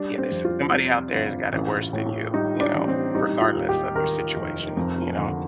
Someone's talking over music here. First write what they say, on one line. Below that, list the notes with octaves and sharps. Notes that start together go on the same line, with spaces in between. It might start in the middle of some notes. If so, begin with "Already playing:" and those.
Yeah, there's somebody out there whose got it worse than you, you know, regardless of your situation, you know?
Already playing: G3 D4
C4
F2
F4
C3
G1
A1
A2
G3 D#4
D4
A1
C4
G3 D#4
F4
D#2
G4
D#3 A#4
F1
F2
D3